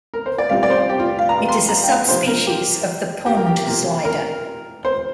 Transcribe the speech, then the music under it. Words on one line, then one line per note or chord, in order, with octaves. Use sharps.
It is a subspecies of the pond slider.
A#4
C5
D5
C2 C3 G3 C4 F4 F5
D5
C5
G4
F4
F5
A#5
C6
A#5
G5
F5
C3 F3 A#3 D4 C5
A#4
G4
G4
A#4
G4
C3 A#3 F4
A#4
C5